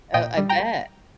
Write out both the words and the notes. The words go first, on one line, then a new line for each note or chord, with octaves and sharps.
Oh, I bet.
A#2 D#5 G5
G3
G5 A#5